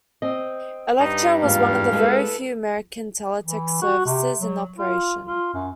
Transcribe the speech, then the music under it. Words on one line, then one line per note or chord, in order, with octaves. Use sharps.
Electra was one of the very few American teletext services in operation.
C4 D#5
G2 D#4
E2 G#2 F4 F5
G#3 A4 B4
E3
F#4
C3
F#3
F4
F4
F#2